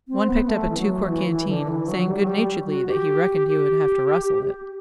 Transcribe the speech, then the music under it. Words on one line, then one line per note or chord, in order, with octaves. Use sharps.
One picked up a two-quart canteen, saying good-naturedly that he reckoned he would have to rustle it.
C4
B3
A3
E3
F#3
E3
E3
D3
E3
F#3
G3
F#3
G3
F#4
G4
G4